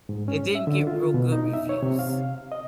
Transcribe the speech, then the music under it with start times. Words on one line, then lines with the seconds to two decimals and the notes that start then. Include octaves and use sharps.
It didn't get real good reviews.
0.09 G#2
0.28 C#4
0.55 E5
0.67 D3
0.87 F4
1.14 B2
1.32 D#4
1.54 E5
1.69 C#5
1.83 C3
1.99 F5
2.52 D#5